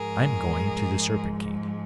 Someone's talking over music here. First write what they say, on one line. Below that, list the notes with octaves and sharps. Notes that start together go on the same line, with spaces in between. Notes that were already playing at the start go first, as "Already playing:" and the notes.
'I am going to the Serpent King.'
Already playing: G#2 F3 G#3 G#4 A#4